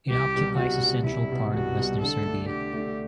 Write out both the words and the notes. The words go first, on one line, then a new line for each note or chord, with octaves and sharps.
It occupies the central part of western Serbia.
C2 G4
B2 G3
C2 F#4
B2 G3
C2 E4
B2 G3
C2 F#4
B2 G3
D3 A4
A3 D4
D3 G4
A3 D4